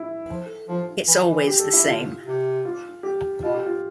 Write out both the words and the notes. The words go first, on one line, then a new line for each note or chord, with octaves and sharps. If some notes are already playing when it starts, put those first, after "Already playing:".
It's always the same.
Already playing: E4
F3
F3 F4
E3
E3
G4
A4
E4
D3 F4
C3
F4
G4
B2 F4
G4
F4